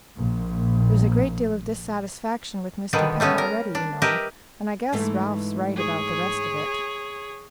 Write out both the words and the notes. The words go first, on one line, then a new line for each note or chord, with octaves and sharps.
"There's a great deal of dissatisfaction with Mr. Peck already, you know, and I guess Ralph's right about the rest of it."
A#1 A#2
B2 D3 D#3 G3 B3
G3 A3 B3 C#4
A#4
D4
G4 A#4 B4 D#5 E5
G#2 E3 A3
G#4 C#5